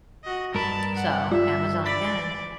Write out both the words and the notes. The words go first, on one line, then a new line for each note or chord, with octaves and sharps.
So, Amazon again.
F#4 D#5
G2 A#4 A5 B5
F#5
G3 F4 D5 E5
D5 B5 A6 B6